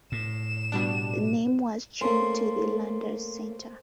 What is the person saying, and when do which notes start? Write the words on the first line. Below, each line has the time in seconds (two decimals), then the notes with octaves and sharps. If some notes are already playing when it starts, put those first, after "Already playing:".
The name was changed to the Landers Center.
0.12 A2 E7
0.72 B2 G3 D4
2.01 A3 A#3 C#4 C5